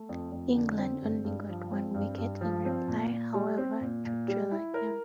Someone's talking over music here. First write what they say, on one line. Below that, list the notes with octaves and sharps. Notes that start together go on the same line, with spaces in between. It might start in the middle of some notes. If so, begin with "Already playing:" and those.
England only got one wicket in reply, however, to draw the game.
Already playing: A3
F2
F2
D3
C4
G2
G2
F3
C4
G2
G2
F3
C4
A#2
A#2
G3
C4
A#2
A#2
G3
E4
A#4